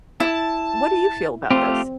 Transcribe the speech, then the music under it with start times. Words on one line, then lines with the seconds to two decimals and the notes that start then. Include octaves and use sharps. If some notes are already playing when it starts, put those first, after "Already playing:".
What do you feel about this?
0.20 E4 A5
1.51 A3 C4 F4 G4